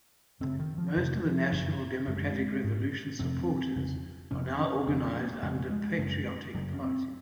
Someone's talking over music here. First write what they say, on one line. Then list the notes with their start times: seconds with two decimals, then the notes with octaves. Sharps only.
Most of the National Democratic Revolution supporters are now organized under Patriotic Party.
0.40 F#2 C#3 C4
0.59 D#3
0.78 F3
0.97 F2 C3 F3
1.52 F#2 C#3
2.08 F#2 C#3 G#3
2.64 G#2
3.19 F2 C3 C4
3.76 F2 C#3
4.31 F2 C3 C#4
4.59 C#4
4.87 F2 C#3 C4
5.15 A#3
5.33 A#3
5.43 F2 C#3 G#3
5.70 G#3
5.99 F#2 C#3
6.54 F#2 C#3 F#3
6.74 C#4
6.82 C4